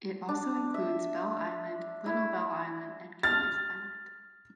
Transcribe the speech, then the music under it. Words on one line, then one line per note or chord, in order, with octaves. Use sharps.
It also includes Bell Island, Little Bell Island and Kelly's Island.
D4
E5
E4
F6 A6